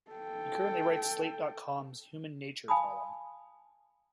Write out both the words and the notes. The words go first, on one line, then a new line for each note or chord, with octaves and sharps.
He currently writes Slate dot com's "Human Nature" column.
A4 G5
F5 G#5 A5 B5 C6 D#6